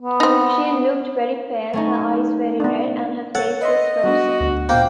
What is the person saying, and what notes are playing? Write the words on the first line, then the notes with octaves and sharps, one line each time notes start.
She looked very pale, her eyes very red and her face was "frozen".
B3
C4 D#4
A3 C#4 D#4
B3 D4
A4 C#5 F#5 A6
B4 D#5 E5 C6
G3 B3 D4 F#4
D2
A#2 A#3 B3 C5 G5